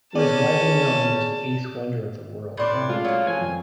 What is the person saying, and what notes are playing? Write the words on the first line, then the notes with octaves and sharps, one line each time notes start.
It was widely known as the "Eighth Wonder of the World".
B3 C#4 G#4 D5 A5
A2 D4 D5 C6 D6
C3
G#3 A3 F4
F#3 A#3
F3 G#5
F2